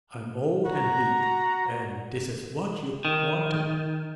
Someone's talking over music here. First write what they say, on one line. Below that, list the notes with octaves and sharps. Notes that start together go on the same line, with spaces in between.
I'm old and weak and this is what you wanted.
F#4 A#5
D#3